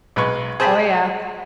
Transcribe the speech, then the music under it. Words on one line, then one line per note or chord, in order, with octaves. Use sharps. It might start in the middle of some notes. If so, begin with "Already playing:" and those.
Oh, yeah.
B1 G#3 B4 C#6
G#4 C5 G5 A5 B5